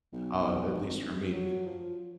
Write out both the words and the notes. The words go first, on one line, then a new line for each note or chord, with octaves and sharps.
uh, at least for me,
B1
B1
G#1
F1
F#3
F3